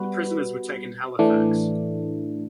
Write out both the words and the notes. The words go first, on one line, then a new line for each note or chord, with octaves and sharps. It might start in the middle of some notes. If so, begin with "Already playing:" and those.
The prisoners were taken to Halifax.
Already playing: G3 B3 F#4 B4
A2 E3 A3 D4